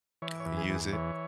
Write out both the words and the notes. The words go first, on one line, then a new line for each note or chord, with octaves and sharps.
Go use it.
E3 C#5
C#5
E2
G#4
E2
G#4
E3 C#5